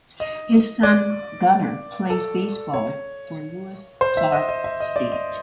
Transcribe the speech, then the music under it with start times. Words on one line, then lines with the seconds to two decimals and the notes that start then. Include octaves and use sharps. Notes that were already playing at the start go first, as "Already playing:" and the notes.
His son, Gunnar, plays baseball for Lewis-Clark State.
0.20 D#5
0.83 D5
2.10 A4
2.74 C#5
4.01 C5
4.17 E5
4.32 D#5
4.49 D#5
4.64 E5
4.80 D#5
4.96 D5
5.12 D#5